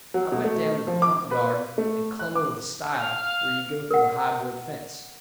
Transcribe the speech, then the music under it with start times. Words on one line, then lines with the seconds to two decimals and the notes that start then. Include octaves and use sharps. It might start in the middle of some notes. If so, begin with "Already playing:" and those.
I went down to the front garden and clumb over the stile where you go through the high board fence.
0.14 F#3
0.32 B2
0.44 A3
0.87 F3
1.02 D6
1.31 B4
1.78 A3
2.19 F#6
2.35 D6
2.97 F5
3.91 A#4 F#5